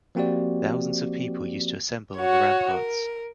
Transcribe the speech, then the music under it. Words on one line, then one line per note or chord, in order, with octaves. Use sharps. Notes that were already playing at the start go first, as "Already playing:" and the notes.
Thousands of people used to assemble on the ramparts.
F3 A#3 C4 F#4 G4 D5
F#4 C#5
A#4